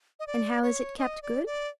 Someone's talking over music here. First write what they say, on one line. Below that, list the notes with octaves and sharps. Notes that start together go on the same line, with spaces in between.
And how is it kept good?
D#5
D5
C#5
D#5
D5
D5